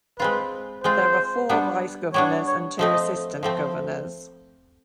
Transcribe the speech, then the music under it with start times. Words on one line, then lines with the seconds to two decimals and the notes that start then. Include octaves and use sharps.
There are four vice governors and two assistant governors.
0.20 G#3 C4 F4 B4
0.84 G#3 C4 F4 C5
1.49 G3 B3 D4
2.14 G3 B3 D4 C#5
2.47 C#5
2.79 F3 A3 C4 D#5
3.43 F3 A3 C4